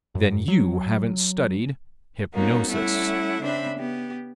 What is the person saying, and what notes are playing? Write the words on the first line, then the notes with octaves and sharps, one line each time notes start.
Then you haven't studied hypnosis.
F#2
F#3
G3 A#3 B3 C#4 D#4 F#4
G3 A3 C#4 E4 F#5
C#3 C4 D4 E5 B5
B3 G4